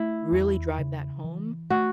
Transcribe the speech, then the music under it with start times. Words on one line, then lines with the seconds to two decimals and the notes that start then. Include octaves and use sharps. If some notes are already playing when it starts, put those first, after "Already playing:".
really drive that home
Already playing: A3 E4
0.32 E2
0.78 C#3
1.24 E3
1.70 A3 F#4